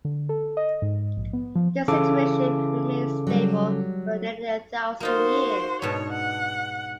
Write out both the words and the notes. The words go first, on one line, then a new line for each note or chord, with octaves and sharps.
This situation remained stable for nearly a thousand years.
D3
A4
D#5
G#2
A#1
B3
F3
C#3 E3 A4 D6
F#3 G3
A#3 D#4 F4 F#4 C5
G#2 B2 D4 C#5
F#5